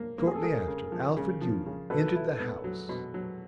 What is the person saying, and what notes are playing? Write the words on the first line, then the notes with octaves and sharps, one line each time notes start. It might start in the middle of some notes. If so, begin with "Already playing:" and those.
Shortly after, Alfred Yule entered the house.
Already playing: A#3
A#3
G#4
A4
A3 G#4 A#4
C#3
F3
C#3
F3
C#3
B2 A4 B4
E4
B3
F#3
B2
F#3